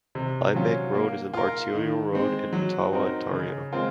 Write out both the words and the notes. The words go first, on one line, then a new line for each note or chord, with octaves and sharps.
Limebank Road is an Arterial road in Ottawa, Ontario.
C3
F#3 C#4 F4
A#3
F4 A#4
D#3
G#3 C4
F#3
C4 D#4 A#4
C#3
G#3 C4 F4 A#4